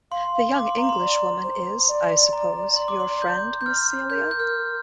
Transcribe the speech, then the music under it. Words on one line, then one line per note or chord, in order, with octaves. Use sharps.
The young Englishwoman is, I suppose, your friend Miss Celia?
F5 C6
F5 D6
C6
A#5
C6
D5
C5
D5
A#5
C6
D6
C6
G6
G6
F6
A#4 G6
G6
A#4 F6